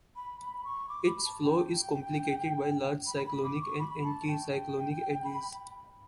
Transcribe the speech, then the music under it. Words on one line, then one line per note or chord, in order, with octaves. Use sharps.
Its flow is complicated by large cyclonic and anticyclonic eddies.
B5
B5
B5
C#6
D6
B5
A5
G5
B5
B5
D6
C#6
B5
A5
G5
B5